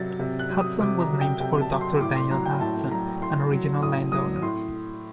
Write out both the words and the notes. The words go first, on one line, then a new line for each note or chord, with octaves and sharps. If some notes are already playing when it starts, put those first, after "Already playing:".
Hudson was named for Doctor Daniel Hudson, an original landowner.
Already playing: C3 F#3 A6
C3
F#6
F#3
D#6
C3 D6
A#5
F#3
G5
C3 G5
A5
F#3
C6
A2 D6
C6
F#3 A#5
G5
A2 A5
F#3 A#5
A2 C6
F#3
A2 D#6
F#3 D#6
A2 C6